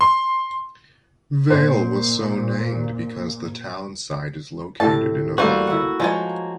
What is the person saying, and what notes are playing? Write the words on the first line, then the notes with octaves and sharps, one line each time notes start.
Vale was so-named because the town site is located in a valley.
C6
A#2 C5
A2 C3 A5
G3 A3 A#3 F4 F#4 C5
E4 F#5
F3 G#3 A#3 C#5